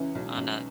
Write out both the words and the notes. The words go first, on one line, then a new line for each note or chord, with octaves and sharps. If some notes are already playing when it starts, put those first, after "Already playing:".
on a
Already playing: C#2 E3 C#4
B1
B1